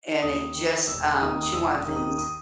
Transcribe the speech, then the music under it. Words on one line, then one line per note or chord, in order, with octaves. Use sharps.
and they just, um, chew on things,
D#2 D#6
D#3
E1 E6
D#2 D#3 D#6
D#6
E1 E6
D#6
D#2 D#3
D#6
D#6